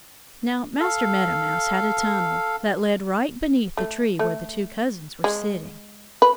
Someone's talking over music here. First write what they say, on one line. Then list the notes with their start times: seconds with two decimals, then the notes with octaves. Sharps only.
Now, Master Meadow Mouse had a tunnel that led right beneath the tree where the two cousins were sitting.
0.80 A4 F5
3.77 A3
4.19 A3
5.24 G#3
6.22 B4